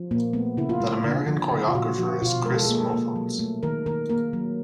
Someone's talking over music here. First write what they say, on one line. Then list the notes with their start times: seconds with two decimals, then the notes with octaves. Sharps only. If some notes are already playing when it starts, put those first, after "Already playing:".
That American Choreographer is Kris Mohfanz.
Already playing: F3
0.11 A#2 A#3
0.33 A3 B3
0.57 C#3 E4
0.69 F4
0.80 G3
1.04 D3
1.28 F3
1.51 C#3
1.68 F4
1.75 A#2 F#4
1.98 F3 F#4
2.22 B2 F4
2.45 G#3 A#4
2.55 A4
2.65 A#3 G#4
2.75 A4
2.93 A#3
3.16 F#3
3.39 A3
3.63 D#3 A#4
3.86 D#3 A#4
4.09 A#3 A#4
4.33 F#3